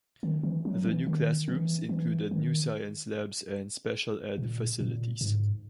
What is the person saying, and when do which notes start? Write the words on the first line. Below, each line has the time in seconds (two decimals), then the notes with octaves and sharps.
The new classrooms included new science labs and special-ed facilities.
0.23 D#3
0.43 E3
0.65 F#3
0.85 E3
1.07 D#3
1.48 E3
1.89 E3
2.31 D#3
4.38 A#2
4.81 A#2
5.21 G#2